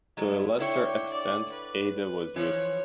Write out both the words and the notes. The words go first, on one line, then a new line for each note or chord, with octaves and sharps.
To a lesser extent, Ada was used.
F#3 G#3 A3
D3 E4 C#5 G5
D5
B4
E3 F3 C#5